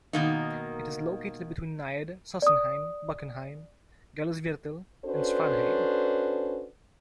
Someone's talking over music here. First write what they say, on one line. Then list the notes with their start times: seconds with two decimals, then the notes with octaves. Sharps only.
It is located between Nied, Sossenheim, Bockenheim, Gallusviertel and Schwanheim.
0.13 B2 D#3 A#3 D#4
2.42 D5 D#6
5.04 C#4 D4 F#4 A4 B4 C5